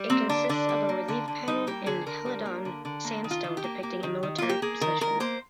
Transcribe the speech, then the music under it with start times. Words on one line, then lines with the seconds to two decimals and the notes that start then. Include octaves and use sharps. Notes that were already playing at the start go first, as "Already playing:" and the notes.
It consists of a relief panel in Helidon sandstone depicting a military procession.
Already playing: G3
0.10 A#3 C4
0.29 D3 D4
0.49 D3 D4
0.69 G3
0.89 A#3
1.08 D3
1.28 D3
1.48 G3 D#4
1.67 A#3 G4
1.86 D3 G#4
2.06 D3 A#4
2.26 G3
2.46 A#3
2.65 D3
2.85 D3
3.05 A#3
3.24 D#3
3.31 F4
3.44 D#3
3.57 G4
3.64 A#3
3.83 A#3
4.03 D#3
4.23 D#3
4.38 A#3 F4
4.49 G4
4.62 A#3 G#4
4.81 D#3 A#4
5.01 D#3 A#4
5.20 A#3 C5